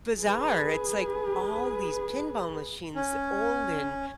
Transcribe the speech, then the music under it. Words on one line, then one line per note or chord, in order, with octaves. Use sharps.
bizarre, it's like, all these pinball machines, old and
G#4 B4
C#4